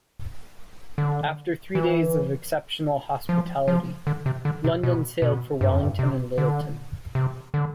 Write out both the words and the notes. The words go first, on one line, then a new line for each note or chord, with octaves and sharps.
After three days of exceptional hospitality, "London" sailed for Wellington and Lyttleton.
D3
E3
F3
F3
D3
C3
D3
C3
B2
B2
G2
F2
G2
C3
D3
C3
D3